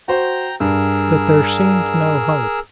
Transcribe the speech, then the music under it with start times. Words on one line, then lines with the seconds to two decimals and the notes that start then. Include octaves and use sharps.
But there seemed no hope.
0.08 F#4 C5 G5 A#5
0.60 G2 G#4 A#4 E6